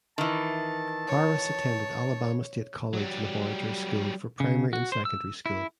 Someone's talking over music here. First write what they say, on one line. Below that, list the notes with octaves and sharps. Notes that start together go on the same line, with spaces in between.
Harris attended Alabama State College laboratory school for primary and secondary school.
D#3 E3 A5
C#5
F#3 G3
C#3
F#4
C5
E6
E4